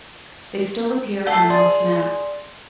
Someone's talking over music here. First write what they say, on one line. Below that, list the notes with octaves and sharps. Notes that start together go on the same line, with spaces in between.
They still appear on most maps.
A3 A4 F#5 C7
G#4 D5 C6 A6